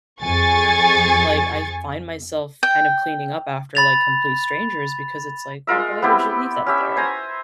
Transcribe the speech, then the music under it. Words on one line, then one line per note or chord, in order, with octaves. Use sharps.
like, I find myself kind of cleaning up after, like, complete strangers because it's like, "Well, why would you leave that there?"
F2 G#4 G#5 C#6 A6
G5
B5 A6 F7
G#3 F4 A#4 E5
B3 C4 E4 G4
C#4 G4 E5
C5 G#5 A#5